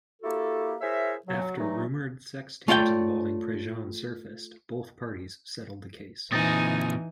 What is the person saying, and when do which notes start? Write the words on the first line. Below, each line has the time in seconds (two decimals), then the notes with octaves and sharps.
After rumored sex tapes involving Prejean surfaced, both parties settled the case.
0.22 A#3 E4 F#4 G4 A4
0.81 E4 G#4 A#4 C5 C#5 E5
1.27 F#3
1.58 G2 E3 F#3 A3 D#4
2.68 A3 F4 C#5 D5 F#5 G5
6.32 A#2 E3 C4 D#4 G#5 D#6 A6 A#6